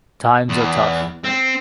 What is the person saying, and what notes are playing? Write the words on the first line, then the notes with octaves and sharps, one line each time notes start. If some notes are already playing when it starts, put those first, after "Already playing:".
Times are tough.
E2
C4